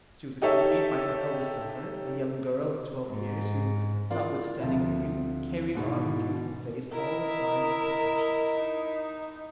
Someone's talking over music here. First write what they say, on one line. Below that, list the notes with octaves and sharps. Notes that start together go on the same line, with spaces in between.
She was accompanied by her eldest daughter--a young girl of twelve years, who, notwithstanding her youth, carried on her beautiful face all the signs of perfection.
D#4 G4 A4 C#5 E5
G#2
E4 F4 A#4 D5 F5
D2 F3 C4 E5
G#2 B2 E4
E4 A#4 D#5 E5
D#4